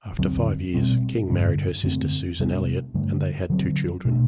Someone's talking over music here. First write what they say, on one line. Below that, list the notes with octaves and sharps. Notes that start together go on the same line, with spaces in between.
After five years, King married her sister Susan Eliot, and they had two children.
E2 D3 F#3 C4
B2 G3 C4
G2 D3 G3 D4
F#2 D3 A3 C4
C3 G3 B3 D4
G2 D3 A3
D3 F#3 C4
B2 A3 D4